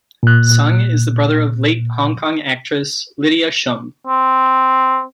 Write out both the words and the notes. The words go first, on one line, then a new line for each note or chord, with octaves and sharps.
Sung is the brother of late Hong Kong actress Lydia Shum.
A#2 F#6
C4